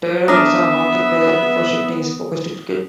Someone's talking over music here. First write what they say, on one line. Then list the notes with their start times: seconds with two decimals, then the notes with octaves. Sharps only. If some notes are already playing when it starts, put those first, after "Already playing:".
Taylor was a hockey player before shifting his focus to cricket.
0.28 B3 D4 A#4 E5 D#6